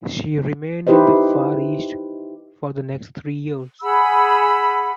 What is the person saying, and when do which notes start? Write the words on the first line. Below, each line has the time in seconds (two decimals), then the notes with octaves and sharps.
She remained in the Far East for the next three years.
0.87 D#4 E4 G4 B4 C5 D#5
3.82 G#4 F#5 B5 E6